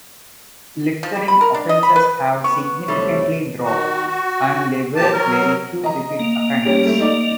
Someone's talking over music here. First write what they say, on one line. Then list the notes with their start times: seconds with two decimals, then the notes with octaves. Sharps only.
Littering offenses have significantly dropped, and there were very few repeat offenders.
1.03 F3
1.16 G3
1.28 B5
1.41 A#4
1.54 D4
1.69 D#5
1.83 B5
1.96 B4
2.44 B3 C#6
2.88 D2 G#2 C3 G3 A3 C#5
3.63 D#3 F#4
4.07 F#4
4.96 A#2 G4 A5
5.12 F#3 A#4
5.84 D#5 A#5
6.19 A#3
6.65 G3 C#4 G4
6.86 G3 A3
7.00 D#4 D5